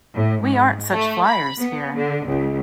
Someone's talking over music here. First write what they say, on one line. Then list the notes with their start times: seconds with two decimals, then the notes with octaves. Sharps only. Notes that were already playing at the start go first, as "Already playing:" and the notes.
We aren't such flyers here.
0.13 A2
0.42 G#2
0.93 A3
1.26 B5
1.59 B3
1.95 D3
2.27 C#2